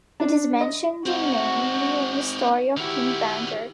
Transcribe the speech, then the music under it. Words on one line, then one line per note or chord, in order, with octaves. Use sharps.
It is mentioned in mainly in the Story of King Banjar.
D4
D#5
C4 D#4 F#4
D#3 E4 F#4 G4